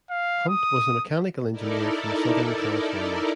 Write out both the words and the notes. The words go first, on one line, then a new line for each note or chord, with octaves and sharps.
Hunt was a mechanical engineer from Southern California.
F5
D#6
D#4 E4 A4 A#4 D5